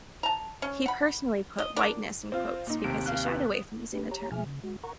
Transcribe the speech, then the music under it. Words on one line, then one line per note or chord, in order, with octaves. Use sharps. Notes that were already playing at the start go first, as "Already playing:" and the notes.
He personally put "whiteness" in quotes because he shied away from using the term.
A5 A#5
C#4
F#5 B5
D#5
D4 A#4 D5
C4 F4
A#2 D#4
D#2 C3 D7
F5 F#6
B3
A3 D4 G4 B4
G4 C#5 A#5
B2 F3 G#4 E5 G#5 F6
C#3
G#3 F#4
A#4 F#5 A#5 C#6